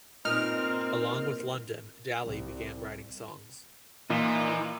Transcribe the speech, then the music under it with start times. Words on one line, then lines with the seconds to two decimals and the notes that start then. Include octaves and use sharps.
Along with Lundon, Daly began writing songs.
0.25 G2 A#2 C4 D#4 A#4 F6
2.25 C2
4.10 A#2 E3 D#4 F4